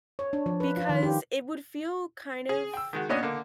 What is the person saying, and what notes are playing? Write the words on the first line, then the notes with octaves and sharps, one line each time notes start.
because it would feel kind of
C#5
D4
F3
B4
F4
D#3
G4
G#4
G5 E6
D#3 G#3 F#4
A#2 B3 C#4 D4 D#5 D#6
D3 A#3